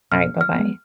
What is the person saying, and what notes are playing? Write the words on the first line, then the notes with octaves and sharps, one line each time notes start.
Alright, bye-bye.
B2 F6
F6
G#3 B3